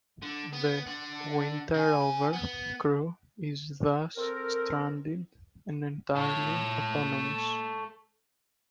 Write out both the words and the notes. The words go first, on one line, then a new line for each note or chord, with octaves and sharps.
The "winterover" crew is thus stranded and entirely autonomous.
D3
B3
D3 F#5
C#3 G#5
B3
C4 A4 A#4
A4 C#5